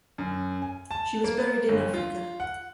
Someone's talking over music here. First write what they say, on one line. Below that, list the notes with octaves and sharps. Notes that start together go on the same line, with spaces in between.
She was buried in Africa.
F#2
G#5
A5
A#3
G1
F4
F#5